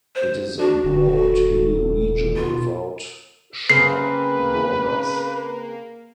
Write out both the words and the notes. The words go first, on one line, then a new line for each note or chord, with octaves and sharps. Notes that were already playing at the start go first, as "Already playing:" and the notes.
It is a broad hilly region without sharp borders.
C5
D4 F#4
D#1 D3
A4
B2 F4
C#3 A#3 C4 B4 C7